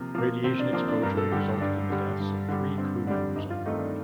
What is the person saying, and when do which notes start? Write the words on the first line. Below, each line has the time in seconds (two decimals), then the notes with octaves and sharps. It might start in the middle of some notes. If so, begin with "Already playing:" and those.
Radiation exposure resulted in the deaths of three crew members on board.
Already playing: C3 F3 A#3
0.15 F3 A#3
0.44 C3 C4
0.59 D4
0.73 F3 A#3 C4
0.88 D4
1.02 G2 A#4
1.17 A4
1.32 D3 G3 G4
1.61 G2 D4
1.90 D3 G3
2.20 G2
2.48 D3 G3
2.78 G2 C4
3.06 D3 G3 D4
3.35 G2 D#4
3.50 F4
3.66 D#3 A3 C4 D#4
3.79 D4